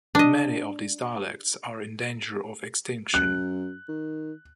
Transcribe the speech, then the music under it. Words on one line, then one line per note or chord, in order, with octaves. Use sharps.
Many of these dialects are in danger of extinction.
D4 D#5
F#2 F#6
D#3